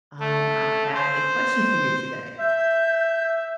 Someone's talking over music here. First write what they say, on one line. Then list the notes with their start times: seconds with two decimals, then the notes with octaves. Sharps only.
Um, I have a question for you today.
0.20 A3
0.94 C5
2.40 E5 G6